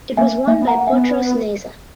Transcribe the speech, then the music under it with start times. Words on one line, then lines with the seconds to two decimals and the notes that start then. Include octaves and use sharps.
It was won by Potros Neza.
0.17 A#3 E5 G#5
0.47 A#3 E5 G#5
0.62 B3
0.67 F#5 A#5
0.77 A#3
0.81 F#5
0.87 E5 G#5
0.93 B3